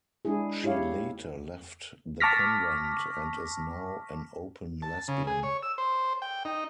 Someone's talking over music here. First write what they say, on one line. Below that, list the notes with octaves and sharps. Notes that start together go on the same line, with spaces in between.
She later left the convent and is now an open lesbian.
G#3 D4 E4 G#4
E4 G4 C#5 F5
A5 C#6 D6 F6 A#6 B6
A5
C#3
G#4
C#5
E6
C5
G5
D#4